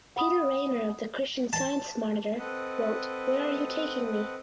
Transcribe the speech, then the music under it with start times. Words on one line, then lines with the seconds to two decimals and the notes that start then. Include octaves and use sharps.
Peter Rainer of "The Christian Science Monitor" wrote ""Where Are You Taking Me?
0.16 F#5 B5 D#6
1.53 A5
2.39 C4 A4 B4 D#5 F#5